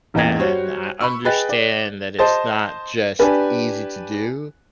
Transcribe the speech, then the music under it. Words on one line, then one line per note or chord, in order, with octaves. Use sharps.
and I understand that it's not just easy to do,
A1 E2 A#3 D#5 G5 G#6
G3 F#4 C5 C#5
B5 C#6 E6
G#4 B4 D#5 G5 F#6 A6
D5
C5 D#5 A5 A6
D4 G4 B4 G#5